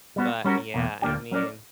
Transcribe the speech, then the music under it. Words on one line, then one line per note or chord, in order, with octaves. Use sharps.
but yeah, I mean,
G3 B3 F#4
G3 C#4 F#4 A#4
E2 B2 A#3
D2 D3 A#3 D4 G4
F#3 C#4 F#4 A#4 D5